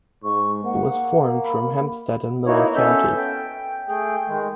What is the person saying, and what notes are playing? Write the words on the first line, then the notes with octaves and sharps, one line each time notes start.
It was formed from Hempstead and Miller Counties.
G#2 C#6
A#3 F#5
B5
A#3 B3 D#4 E4 F#4 C#5
B3 C#4 A4 E5 G6
G5
A3 G#4 G5
D#3 G#3